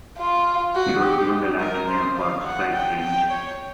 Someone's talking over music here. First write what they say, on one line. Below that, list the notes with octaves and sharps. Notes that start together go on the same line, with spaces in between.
It was given the Latin name for "Straight Range".
F4
F#4
G4
A#4
C5
F5
F#5
G5
G5
C#5